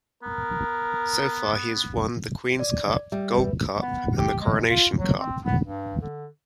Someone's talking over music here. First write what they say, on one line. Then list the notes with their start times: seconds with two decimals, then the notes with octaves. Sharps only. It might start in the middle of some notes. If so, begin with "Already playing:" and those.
So far, he has won the Queen's Cup, Gold Cup and the Coronation Cup.
0.23 B3 A#4
2.59 D5
3.12 G3 E5
3.31 B4
3.82 B3
4.17 G4
4.41 G#3
4.70 F4
4.98 F#3
5.20 C4
5.46 B3
5.63 G2
6.02 D3